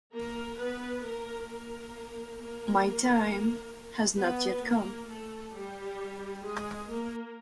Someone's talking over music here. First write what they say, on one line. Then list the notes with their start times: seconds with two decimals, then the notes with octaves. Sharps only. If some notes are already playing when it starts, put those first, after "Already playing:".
My time has not yet come.
0.13 A#3 A#4
0.58 B3 B4
1.04 A#3 A#4
1.48 A#3 A#4
2.38 A#3 A#4
4.18 B3 B4
4.63 A#3 A#4
5.08 A3 A4
5.53 G3 G4
6.43 G#3 G#4
6.88 A#3 A#4